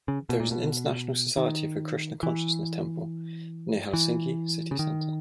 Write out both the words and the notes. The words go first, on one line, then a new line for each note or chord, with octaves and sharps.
There is an International Society for Krishna Consciousness temple near Helsinki city centre.
C#3
B2
A#2
B2
D#3
E3
E3
C#3
D#3